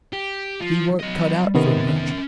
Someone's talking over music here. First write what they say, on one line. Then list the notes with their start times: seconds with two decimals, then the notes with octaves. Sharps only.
He weren't cut out for a merchant.
0.13 G4
0.60 F3
0.99 F#3 D#5
1.55 C3 D#3 B3 C#4 A#4